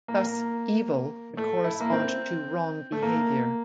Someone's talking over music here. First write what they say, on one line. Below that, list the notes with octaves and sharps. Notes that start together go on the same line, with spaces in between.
Thus "evil" would correspond to wrong behavior.
A#3
A#3
A3
E4
A#3
C4
A3
A#3